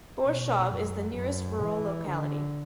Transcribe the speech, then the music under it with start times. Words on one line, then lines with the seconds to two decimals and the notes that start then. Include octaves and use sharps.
Borhshchov is the nearest rural locality.
0.24 B2
0.69 F#2
1.15 F#2
1.61 E3
2.06 D3